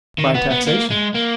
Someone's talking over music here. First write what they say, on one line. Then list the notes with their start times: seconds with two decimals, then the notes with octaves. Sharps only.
By taxation.
0.18 D#3
0.34 B3
0.50 B3
0.67 A#3
0.90 G#3
1.14 A#3